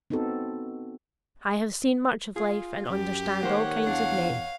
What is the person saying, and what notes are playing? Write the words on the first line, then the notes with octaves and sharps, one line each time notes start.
I have seen much of life, and understand all kinds of men.
B3 C4 D#4 F#4 A4
F4 G#4
F#2 G4
D#3 A#3 C5 C#5 F#5
E2 D4 F5